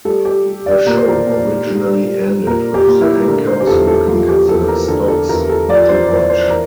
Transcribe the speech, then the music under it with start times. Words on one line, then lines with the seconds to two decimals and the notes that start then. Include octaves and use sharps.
The show originally ended with the anchors looking at the Stocks to Watch.
0.05 G3 A4
0.25 G4
0.46 G3
0.66 D5
0.86 A#2 A#4
0.97 C5
1.08 A#4
1.26 A#2
1.67 G3
2.06 G3
2.46 A#2 A#4
2.74 G4
2.87 A#2
3.01 E4
3.28 D3 A#4
3.47 C5
3.60 G4
3.67 E2 A4
3.88 A4
4.08 F3 A4
4.28 G4
4.49 E2 A4
4.68 A#4
4.88 D3 A4
5.08 A4
5.29 E2 A#4
5.49 A4
5.68 F3 D5
5.89 C5
6.09 E2 C5
6.29 C5
6.49 E3 A#4